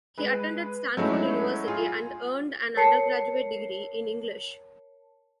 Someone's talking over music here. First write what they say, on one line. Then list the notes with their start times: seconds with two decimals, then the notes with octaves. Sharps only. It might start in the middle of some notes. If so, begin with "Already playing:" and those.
He attended Stanford University and earned an undergraduate degree in English.
0.18 G#3 B4
0.97 F#3 G#3 A3 C#4 D#4 E4
1.68 F4 G#4
2.76 A#4 C#5 A5 C7 C#7